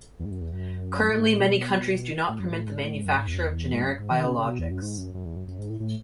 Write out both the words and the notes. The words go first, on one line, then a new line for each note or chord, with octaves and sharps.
Currently many countries do not permit the manufacture of generic biologics.
E2
G#2
F#2
E2
F#2
A2
G#2
A2
B2
A2
F#2
A2
G#2
A2
G#2
F#2
G#2
E2
F#2
E2
G#2
F#2
G#2
E3
D#3
C#3
C#3
B2
E2
F#2
G#2
F#2
F#2
E2
F#2
F#2
G#2
A2
A2